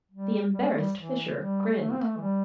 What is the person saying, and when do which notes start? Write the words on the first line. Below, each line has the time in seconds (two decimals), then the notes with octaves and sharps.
The embarrassed Fisher grinned.
0.11 G3
0.53 G3
0.66 A3
0.78 G3
0.96 E3
1.37 G3
1.79 A3
1.91 C4
2.02 A3
2.16 E3
2.21 G3